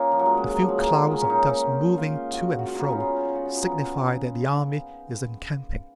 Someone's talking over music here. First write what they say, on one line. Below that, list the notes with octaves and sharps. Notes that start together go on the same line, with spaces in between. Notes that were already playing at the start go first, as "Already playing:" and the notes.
A few clouds of dust moving to and fro signify that the army is encamping.
Already playing: A#3 C#4 D#4 F4
F3
F#3
G#3
G#3
F#3
F3
G#3
A#3
B3
F4
G#3
A#3
C#4
D#4
F4
F#4
F#4
F4
D#4
B3 C#4
D#4
F4
F#4
F4
D#4
B3